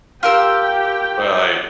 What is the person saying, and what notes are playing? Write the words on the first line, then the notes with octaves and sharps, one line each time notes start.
but like
F4 G4 A#4 G5 E6